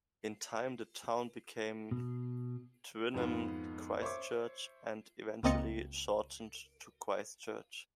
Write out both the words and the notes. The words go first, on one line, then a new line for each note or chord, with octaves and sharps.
In time the town became Twynham-Christchurch and eventually shortened to Christchurch.
B2
F2 G#2 B3 F4
C5 C#5 E5 C#6 D6
C#2 A#3 C4 D#5 A6 C#7